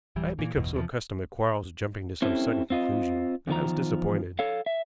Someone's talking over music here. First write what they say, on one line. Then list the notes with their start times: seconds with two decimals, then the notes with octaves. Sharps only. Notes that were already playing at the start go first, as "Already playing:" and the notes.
I had become so accustomed to Quarles jumping to some sudden conclusion that I was disappointed.
0.16 D1 E3 G3
0.39 A#2 E3
0.55 G1 E2 B2
0.73 E2 C3 D#3 F3
2.22 C4 C#4 E4 G4 A4
2.70 C4 F4 D#5
3.48 E2 D#3 F3 A#5
4.39 A4 C#5 F5
4.66 E5